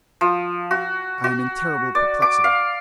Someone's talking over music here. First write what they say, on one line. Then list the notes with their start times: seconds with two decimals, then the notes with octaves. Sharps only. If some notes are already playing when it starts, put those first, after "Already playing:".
I am in terrible perplexity.
0.21 F3
0.71 F#4
1.24 F#4
1.95 D5
2.22 D6
2.44 F5